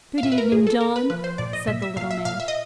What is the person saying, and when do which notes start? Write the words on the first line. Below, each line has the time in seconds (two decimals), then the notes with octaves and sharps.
"Good evening, John!" said the little man.
0.18 F5
0.23 A#2 E5
0.32 B4
0.38 A#4
0.52 A#2 G#4
0.67 A4
0.81 A#3 A#4
0.96 B4
1.10 F3 B4
1.24 C5
1.38 A#2 D5
1.53 D#5
1.67 A#2 E5
1.82 E5
1.96 A#2 F5
2.11 E5
2.25 A#2 F5
2.40 E5
2.48 D#5